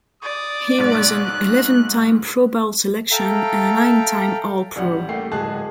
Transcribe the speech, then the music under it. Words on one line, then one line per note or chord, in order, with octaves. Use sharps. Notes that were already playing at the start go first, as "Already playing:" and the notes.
He was an eleven-time Pro Bowl selection and a nine-time All-Pro.
D5 D#6
B1 G#2 F#6
A4 E5 F5 G5 A#5
A1 G3 F#5
A3 A#3 G4 C7
D1 G#3 G#4 A5 F#6